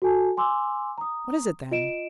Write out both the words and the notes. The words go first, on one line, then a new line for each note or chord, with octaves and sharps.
"What is it then?"
F#4 A4 G#5 A5
G#5 C6 D6 E6
A#5 D#6
F4 D#5 D7 E7